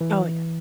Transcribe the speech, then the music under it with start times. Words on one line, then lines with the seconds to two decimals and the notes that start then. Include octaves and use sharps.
Oh, yeah.
0.01 E3